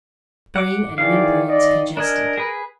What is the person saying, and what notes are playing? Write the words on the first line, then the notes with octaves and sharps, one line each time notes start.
Brain and membranes congested.
F#5 D6
D#3 E3 G#4 D5 F5
D5 D#5
D4 A#4 D#5 G#5
G#4 B4